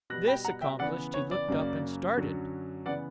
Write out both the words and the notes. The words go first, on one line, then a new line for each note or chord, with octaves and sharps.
This accomplished, he looked up and started.
B2 G3 B3 F#6 A#6
G5 B5
F#5 A#5
E5 G5
C#3 E3 B3 D5 F#5
C#5
D5
F#2 C#3 F#3 A#3
F#2 D3 F#3
C#3 E3 B3 D5 F#5